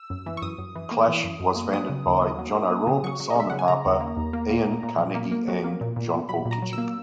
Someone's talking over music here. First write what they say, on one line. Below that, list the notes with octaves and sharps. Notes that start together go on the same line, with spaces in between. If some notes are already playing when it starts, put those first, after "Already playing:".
"Clash" was founded by John O'Rourke, Simon Harper, Iain Carnegie and Jon-Paul Kitching.
Already playing: E6
F#2
E3
C#6
F#2 D#6
F#2
E3
A#3
E3
F#2
F#2
A#3
F#3 D#6
C#3
D#2
A#3
F#3
A#3
A#3
C#3
F#3 C#6
F#3
D#5
C#3 E5
C#3 F#5
G#5
C#3 A#5
D#2
A#3
D#2
A#3
A#3
A#2
A#2
F#3
A#3
A#3
F#3
A#3
A#2
A#2
A#2
F#3 B5
A#2
A#5
F#3
A#3 E6